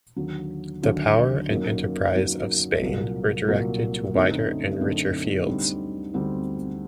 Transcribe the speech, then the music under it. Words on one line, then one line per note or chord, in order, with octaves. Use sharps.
The power and enterprise of Spain were directed to wider and richer fields.
D#2 D3 F#3
D#2 D3 F#3
F#2 F#3 A#3 D#4
F#2 F#3 A#3 D#4
C2 A#2 F#3 A#3
C2 A#2 F#3 A#3
F#2 D3 A3 C4 D#4
F#2 D3 A3 C4 D#4
D2 D3 G3 C4 D#4
D2 D3 G3 C4 D#4